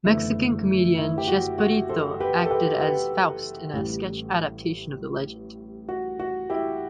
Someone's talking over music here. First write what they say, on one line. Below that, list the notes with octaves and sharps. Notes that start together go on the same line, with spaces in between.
Mexican comedian Chespirito acted as Faust in a sketch adaptation of the legend.
F#1 E2 D3 A3 E4
E4
G4
F#4
F#4
A4 C5
G4 B4
A4
G4 B4
G4 B4
A1 A2 G3
F#4
F#4
E4 G4